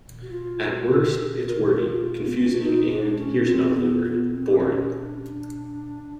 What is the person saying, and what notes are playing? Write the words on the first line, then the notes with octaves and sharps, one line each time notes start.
At worst, it's wordy, confusing and - here's an ugly word - boring.
F#4
F4
F#4
G4
G#4
A#4
F4
B3
C4
C#4
D4
D#4
D4
C#4
C4
B3
B3
C4
C#4
D4